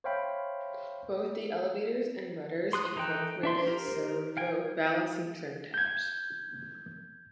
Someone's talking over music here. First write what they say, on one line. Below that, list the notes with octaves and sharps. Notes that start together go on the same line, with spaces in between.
Both the elevators and rudders incorporated servo-balancing trim tabs.
C5 C#5 E5 F5 G5 B5
C6 D#6 F#6
E3 D#4 A4 G5 F#6
D4 E5 C6
G4 A#4 C5
F5 G5 G#5
G6 G#6